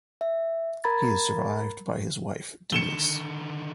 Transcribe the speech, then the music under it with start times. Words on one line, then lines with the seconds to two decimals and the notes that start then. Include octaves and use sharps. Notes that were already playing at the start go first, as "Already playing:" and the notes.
He is survived by his wife Denise.
0.21 E5
0.84 A#4 A#5 B5 G#6 A6
2.72 D3 D#3 C#7 E7 G7